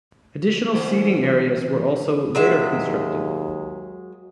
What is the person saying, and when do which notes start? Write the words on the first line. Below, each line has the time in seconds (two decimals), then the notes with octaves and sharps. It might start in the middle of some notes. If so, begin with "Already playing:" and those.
Additional seating areas were also later constructed.
0.74 D2 E3 C5
2.35 D#2 F#3 G#3 E5